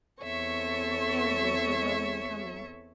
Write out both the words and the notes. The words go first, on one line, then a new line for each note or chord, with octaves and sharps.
Carriages were going and coming.
E2 C4 A4 C#5 E5 C#6